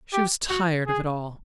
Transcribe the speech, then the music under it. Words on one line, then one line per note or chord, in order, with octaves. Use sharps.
She was tired of it all.
G4
F#4
G#4